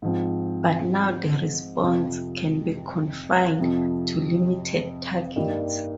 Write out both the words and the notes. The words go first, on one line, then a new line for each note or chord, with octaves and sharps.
But now the response can be confined to limited targets.
G#2 F3 C4
F2 C3 F3
F2 C3 F3
G2 G3 A#3 D#4